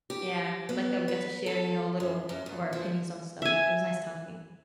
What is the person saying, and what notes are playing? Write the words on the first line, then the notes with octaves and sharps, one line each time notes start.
Yeah. I like that we got to share, you know, a little of our opinions on stuff. It was nice talking.
G4
B3
B4
A4
F#2
F#2
E2
F3
E5 G#5